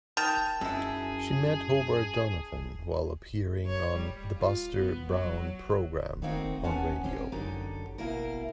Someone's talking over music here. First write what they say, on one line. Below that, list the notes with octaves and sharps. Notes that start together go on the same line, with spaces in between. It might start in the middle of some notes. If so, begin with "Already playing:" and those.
She met Hobart Donovan while appearing on "The Buster Brown Program" on radio.
D#3 A5
F#2 E4 G#4
C#5
G3
F4
B3
F#3
F#3
D#3 A3 A#3 C4 D#4 F#4
E2 B3 C#4 F#5 G#5 A5
G#3 C4 C#4 G4
F#2 D3 D#4 G4 A4
B2 A#3 E4 A#4